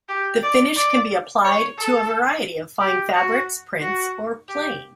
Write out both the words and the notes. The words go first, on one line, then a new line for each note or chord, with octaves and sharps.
The finish can be applied to a variety of fine fabrics, prints or plain.
G4
D5
D5
C#5
A4
G4
F#4
F#4
G4